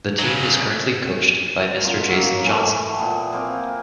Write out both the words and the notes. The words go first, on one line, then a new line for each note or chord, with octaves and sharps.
The team is currently coached by Mr. Jason Johnson.
C#3 F#3
B2 F4 A#4
F#3 A#3
E3 A3
A#2 B3 G5
A#3 C4 G5 G#5